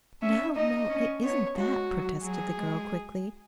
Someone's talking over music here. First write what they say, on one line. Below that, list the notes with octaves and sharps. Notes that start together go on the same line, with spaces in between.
"No, no, it isn't that," protested the girl quickly.
C#4 E5
D#4 D#5
C#4
B3 C#5
G#3 F#4
F#3
F#3 G#4
G#3